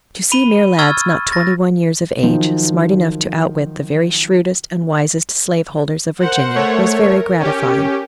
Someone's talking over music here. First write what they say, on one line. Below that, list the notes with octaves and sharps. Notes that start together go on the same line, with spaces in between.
To see mere lads, not twenty-one years of age, smart enough to outwit the very shrewdest and wisest slave-holders of Virginia was very gratifying.
B5 D#7 G7
C#6 E6 F6 G#6 A6
A6 A#6
D#3 F3 F#3
A#4 C5 F#5
A3 C#5
A#4
C#4 G4